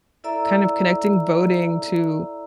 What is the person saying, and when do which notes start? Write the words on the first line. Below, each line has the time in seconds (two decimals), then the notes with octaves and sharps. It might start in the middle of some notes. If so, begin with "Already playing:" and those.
kind of connecting voting to
0.24 E4 A4 D5 E5 A#5 E6